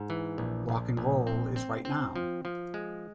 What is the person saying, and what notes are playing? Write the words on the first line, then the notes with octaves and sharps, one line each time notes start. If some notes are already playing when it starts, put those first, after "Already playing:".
Rock'n'roll is right now.
Already playing: G#2
E3
A#1
A#1
A#1
C4
C4
C4
F3
F3
G#3